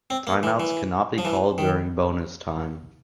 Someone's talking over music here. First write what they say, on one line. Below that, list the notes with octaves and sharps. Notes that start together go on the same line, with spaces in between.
Timeouts cannot be called during bonus time.
C4
A#3
E3
E3
F3
E3
D#3